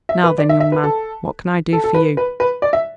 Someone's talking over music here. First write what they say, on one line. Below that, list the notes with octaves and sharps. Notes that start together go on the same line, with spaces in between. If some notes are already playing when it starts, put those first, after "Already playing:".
"Now then, young man, what can I do for you?"
E5
B4
D5
E5
E5
B4
A4
A4
A4
B4
B4
B4
D5
E5